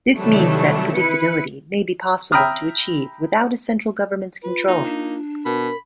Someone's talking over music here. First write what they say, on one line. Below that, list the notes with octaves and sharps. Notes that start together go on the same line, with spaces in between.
This means that predictability may be possible to achieve without a central government's control.
C3 D#3 E3 F#3 G3 A3
E4 B4 C#7
E5 G5 A#5 B5 D#6 F6
F4 B4
A#3 D#4
D4
B2 A#4 B5